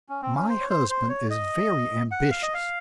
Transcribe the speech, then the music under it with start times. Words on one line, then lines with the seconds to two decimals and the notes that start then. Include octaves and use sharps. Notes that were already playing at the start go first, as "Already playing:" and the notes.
My husband is very ambitious.
0.09 C#4
0.22 C4
0.35 C#4
0.49 C5
0.60 C#5
0.70 C5
0.90 C5
1.09 C#5
1.30 D#5
2.11 F#5
2.30 F5
2.43 D#5
2.54 F5